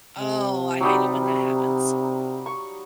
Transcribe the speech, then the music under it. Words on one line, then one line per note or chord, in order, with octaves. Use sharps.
Oh, I hate it when that happens.
C3
F#3 G3 D#4
C#6